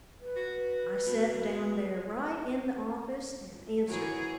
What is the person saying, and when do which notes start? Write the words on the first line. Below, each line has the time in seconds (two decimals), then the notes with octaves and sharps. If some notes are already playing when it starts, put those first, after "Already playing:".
I set down there right in the office and answered it.
0.21 B4
0.36 F#4
1.07 B2
3.89 E3 F#4 G#4 A#4 C#5